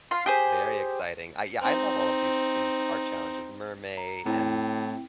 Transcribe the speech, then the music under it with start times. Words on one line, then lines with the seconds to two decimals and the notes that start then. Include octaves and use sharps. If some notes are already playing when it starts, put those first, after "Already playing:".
very exciting. I yeah, I love all of these these art challenges, Mermay and,
0.11 F4 C6
0.26 G4 G#4 C5
1.61 C4 D#4
3.98 A#5
4.26 A2 C4 E4 G5